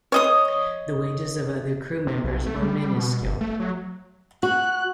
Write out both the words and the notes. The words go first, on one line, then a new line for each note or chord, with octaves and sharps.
The wages of other crew members were minuscule.
C#5 D#5 D#6
C3
B1
A3
G3
G3
B2
G1
A3
F#3
F#4 F#6